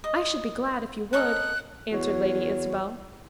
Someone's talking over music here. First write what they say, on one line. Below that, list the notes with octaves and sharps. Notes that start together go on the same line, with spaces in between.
"I should be glad if you would," answered Lady Isabel.
D#5
A4 A#4 D#5 F#6
E2 F#4 C#5